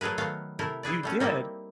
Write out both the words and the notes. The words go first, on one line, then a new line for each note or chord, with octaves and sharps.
You did?
F#3 A3 G#4 A#4 B4
D#3 F#3 A3 B3 F5
C3 A3 E4 A#4
E4 G#4 B4 D5
G3 A3 C#4
G3 A#3 C4 D#4 E4